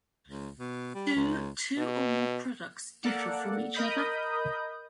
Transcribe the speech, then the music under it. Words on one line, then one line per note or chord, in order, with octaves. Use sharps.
Do two or more products differ from each other?
C#2
B2
G3
C#2
B2
A#3 A4 D5 F#5
A#4 D#5 B5 D#6 G6